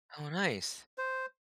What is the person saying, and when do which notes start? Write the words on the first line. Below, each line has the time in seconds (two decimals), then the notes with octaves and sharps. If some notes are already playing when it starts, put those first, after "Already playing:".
Oh, nice.
0.98 C5